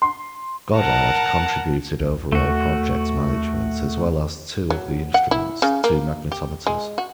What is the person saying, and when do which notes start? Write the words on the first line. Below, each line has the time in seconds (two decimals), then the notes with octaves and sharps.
Goddard contributed overall project management as well as two of the instruments, two magnetometers.
0.02 C6
0.75 A#4 F#5 A5 A#5
2.00 C2
2.32 D#2 A3 F#4
4.70 F#3
5.14 F#5
5.31 E4
5.62 C#3
5.84 A#3
6.32 G4
6.67 G#3
6.98 F#4